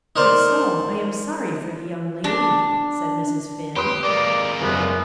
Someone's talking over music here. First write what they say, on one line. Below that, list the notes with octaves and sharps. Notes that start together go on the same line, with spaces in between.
"If so, I am sorry for the young lady," said Mrs. Finn.
D#4 A#4 C5 D5
D4
G4 B4 C6 D#6
G#3 A#3 D5
F#1 F#2 B3